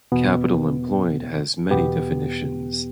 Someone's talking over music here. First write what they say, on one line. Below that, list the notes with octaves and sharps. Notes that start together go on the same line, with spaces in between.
Capital Employed has many definitions.
E2 B2 B3
E2 B2 B3 G4